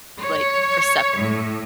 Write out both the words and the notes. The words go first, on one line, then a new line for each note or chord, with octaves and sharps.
r like, percept
C#5
A2